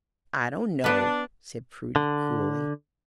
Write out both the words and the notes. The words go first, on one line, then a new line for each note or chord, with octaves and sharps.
"I don't know," said Prudy, coolly.
B3 D4 B4
D3